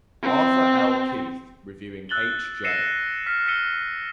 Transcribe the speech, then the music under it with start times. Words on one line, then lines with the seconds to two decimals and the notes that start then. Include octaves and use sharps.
Arthur L. Keith, reviewing H. J.
0.23 C4
2.09 E6 F#6 A6 F#7 G7
2.64 E6 A#6 C7 C#7 D#7 E7
3.27 F6 B6
3.47 E6 B6 C#7 D#7 G7